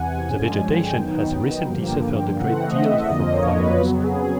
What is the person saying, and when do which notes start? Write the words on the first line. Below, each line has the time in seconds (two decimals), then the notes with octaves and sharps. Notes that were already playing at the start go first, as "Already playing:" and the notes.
The vegetation has recently suffered a great deal from fires.
Already playing: E2 C3 E3 F#5 G#5
0.29 G2 D3 F3 G#3 C#4 G#5
0.64 G5
0.99 D#3 F#3 B3 D#4
1.70 G2 D3 F3 A#3
2.39 C#3 E3 A3 C4 F#5
2.63 D#5
2.75 E5
3.06 D5
3.10 F2 D3 F3 A#3 D#5
3.33 C#5
3.57 B4
3.80 F2 C#3 F#3 B3
4.04 G#4